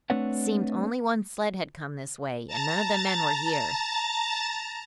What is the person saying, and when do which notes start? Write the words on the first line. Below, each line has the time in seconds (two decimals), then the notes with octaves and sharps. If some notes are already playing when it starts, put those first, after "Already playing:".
It seemed only one sled had come this way and none of the men were here.
0.10 A3 C4 D4 B4 C#5 F#5
2.47 A5 A#5 A6